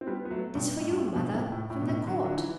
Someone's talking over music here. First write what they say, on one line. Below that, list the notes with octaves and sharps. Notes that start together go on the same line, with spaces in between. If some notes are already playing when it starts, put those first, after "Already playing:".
"It is for you, mother--from the Court."
C4
G3 B3
B3
F#3 A3
G2 B2
A2
G2
A2
G2 B2
A2 C3
A2
A2
B2
A2
D3 F#3
D3 F#3
E3